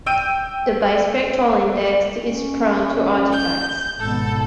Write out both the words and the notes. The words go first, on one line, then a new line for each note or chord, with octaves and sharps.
The bispectral index is prone to artifacts.
G5 E6 G6 D7 D#7
C#4
G6
G#1 B2 B3 A4